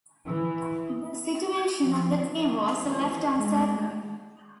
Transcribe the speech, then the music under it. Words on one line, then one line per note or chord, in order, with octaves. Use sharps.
The situation of the team was left uncertain.
E3
F3
E3
G#3